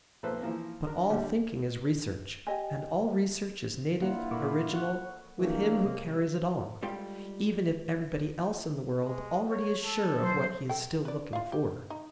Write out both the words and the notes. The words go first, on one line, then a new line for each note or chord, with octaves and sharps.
But all thinking is research, and all research is native, original, with him who carries it on, even if everybody else in the world already is sure of what he is still looking for.
B1 F3 A#3 A4 B4 C5
E3 F3 A#3 C4
D4 A#4
A#2 D3 G3 D4
G4 D#5 G#5
G2 A#3 E4 F4 D5 F#5
A#2 A4 A#4 B5 C#6 D6
F#5 C#6 F#6
C#3 E3 G#3 A#3 D4 G4 C#5 D5
C3
G3 G#3 F4 A4 F5 G5
G#3
C#5
A4
F#3 C5
A4 G5
B4 D5
F4 F5
G4
D#4